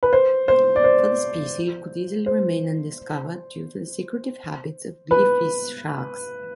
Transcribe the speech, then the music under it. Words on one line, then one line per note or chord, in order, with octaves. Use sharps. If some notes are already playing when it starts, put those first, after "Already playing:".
Further species could easily remain undiscovered, due to the secretive habits of "Glyphis" sharks.
B4
C5
C5
D5
C5
C5
B4